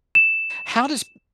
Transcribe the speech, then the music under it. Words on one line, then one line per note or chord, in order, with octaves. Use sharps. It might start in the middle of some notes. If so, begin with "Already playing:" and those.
how does
E7